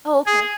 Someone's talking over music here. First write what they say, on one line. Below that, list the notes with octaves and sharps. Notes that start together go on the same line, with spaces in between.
Oh, okay,
G#4